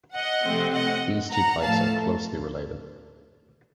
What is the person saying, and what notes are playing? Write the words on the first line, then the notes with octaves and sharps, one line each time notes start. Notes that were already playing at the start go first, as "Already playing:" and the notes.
These two types are closely related.
D#5 F#5
C3 F3 A3 C4
D#5 F#5
F#5 A#5
A2 F3 A3 F5 A5